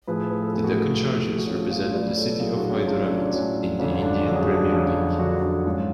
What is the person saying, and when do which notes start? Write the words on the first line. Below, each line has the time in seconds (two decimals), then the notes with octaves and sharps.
The Deccan Chargers represented the city of Hyderabad in the Indian Premier League.
0.07 A2 F3 G#4 B4
0.31 B4
0.42 A4
0.53 A2 F3 G#4
0.63 F#4 A4
1.01 A2 F3
1.30 G#4
1.38 F#4
1.47 A2 F3 C#4 F4
1.70 C#4 F4
1.93 A2 F#3 B4 D5
2.17 A4 C#5
2.29 A4
2.40 A2 F#3 F4 G#4
2.51 G#4
2.56 D4 F#4
2.71 C#4 F4
2.87 A2 F#3 D4
3.02 C#4
3.18 D4
3.30 A2 F#3 C#4
3.42 D4
3.79 F2 D3 F#3 C#4 F4
4.02 D4
4.21 F#4
4.26 F2 D3 F#3 C#4 F4
4.35 G#4
4.41 D4 F#4
4.57 D4
4.72 F2 D3 F#3 C#4 F4
5.19 F2 D3 F#3 D4 F#4
5.42 D4 F#4
5.66 G#2 F#3 C#4 F4